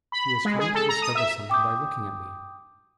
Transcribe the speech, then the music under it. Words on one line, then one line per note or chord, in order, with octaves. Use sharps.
He is trying to discover something by looking at me!
B5
B5
G#3
G#4
A4
A#5
D#6
E5
G5 D6 D#6 G6